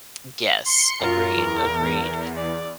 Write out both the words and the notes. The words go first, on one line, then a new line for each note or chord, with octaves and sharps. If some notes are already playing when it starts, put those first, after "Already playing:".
M yes, agreed, agreed.
C6 C#7
F#2 F4 A#4
E2
D5